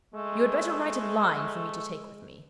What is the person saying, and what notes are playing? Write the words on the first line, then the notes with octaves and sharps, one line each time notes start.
You had better write a line for me to take with me.
G#3 A3